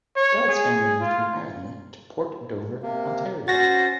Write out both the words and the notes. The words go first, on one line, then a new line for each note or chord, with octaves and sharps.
Dodd's family moved from Ireland to Port Dover, Ontario.
C#5
G#4
F4
C3 A#3
C#4 F#4 C5 A6 A#6